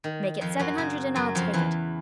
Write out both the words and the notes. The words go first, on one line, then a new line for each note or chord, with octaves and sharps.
"Make it seven hundred and I'll take it."
D#3
F2 F3
F#2 F#3
C#3
F#2 F#3
F2 F3
E2 E3